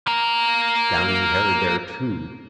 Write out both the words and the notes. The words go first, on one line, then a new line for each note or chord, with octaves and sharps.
Downy hair there too.
A#3 A#4